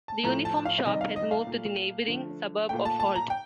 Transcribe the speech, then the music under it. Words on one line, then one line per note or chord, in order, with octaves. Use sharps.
The Uniform Shop has moved to the neighbouring suburb of Holt.
A5
A2 F3 A3 A#5
A5
F5
C3 D#3 G3 D#5
F5
D#5
F5
A#2 A3
D3 F3 A3
A#2 A3 G5
A5
A5
A#5
G5